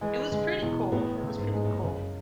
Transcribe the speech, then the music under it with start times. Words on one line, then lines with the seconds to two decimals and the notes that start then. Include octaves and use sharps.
it was pretty cool, it was pretty cool.
0.01 E3 G#3
0.32 D3 G#3
0.62 E2 B2
0.92 A2 B3
1.23 C#3
1.38 G#2
1.53 G#3
1.65 A2
1.73 G#2
1.83 F#2 C#3